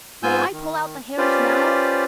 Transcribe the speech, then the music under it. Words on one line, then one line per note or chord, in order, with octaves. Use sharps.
"May I pull out the hairs now?"
G#2 B3 F4 G#5 E6 G6
D#3
C#4 F4 G4 B4 C5 D5